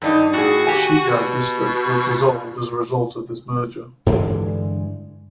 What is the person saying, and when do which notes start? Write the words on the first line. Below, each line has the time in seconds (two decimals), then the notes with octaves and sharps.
Shiga District was dissolved as a result of this merger.
0.02 G2 D4 D#4
0.33 A2 F#4 G#4
0.67 G4 G#5
1.08 B2
4.06 G2 D3 E3 G#3